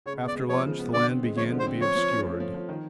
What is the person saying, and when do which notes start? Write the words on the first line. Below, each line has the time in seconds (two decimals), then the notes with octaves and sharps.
After lunch the land began to be obscured.
0.06 C#3 C#5
0.21 B3
0.28 D5
0.35 G#3
0.49 F3 C#5
0.64 C#3
0.79 B3
0.93 D3 D5
1.09 C4
1.23 G#3
1.37 F3 C#5
1.52 D3
1.59 C5
1.67 C4
1.81 F3 C#5
1.95 F3
2.10 C#4
2.25 A3
2.40 F3
2.54 F3
2.69 D#3